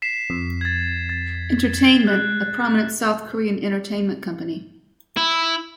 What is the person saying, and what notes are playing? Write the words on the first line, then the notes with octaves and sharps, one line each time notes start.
Entertainment, a prominent South Korean entertainment company.
B6 C7 E7
F2
G#6 A6
A6
G#3 F#6
E4